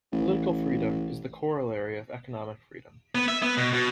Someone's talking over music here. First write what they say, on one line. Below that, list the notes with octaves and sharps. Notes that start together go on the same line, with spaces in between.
Political freedom is the corollary of economic freedom.
A1
B3
E5
B3
B2
B2